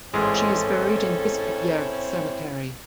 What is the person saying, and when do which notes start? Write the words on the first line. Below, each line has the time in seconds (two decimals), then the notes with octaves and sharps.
She is buried in Bispebjerg Cemetery.
0.14 A1 G#2 G#3 C4 C#4 E4 A4 C6